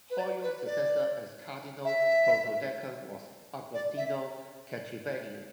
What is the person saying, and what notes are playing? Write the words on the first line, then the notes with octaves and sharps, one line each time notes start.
Hoyos' successor as Cardinal protodeacon was Agostino Cacciavillan.
B4
D5
B4
D5
E5
D5
E5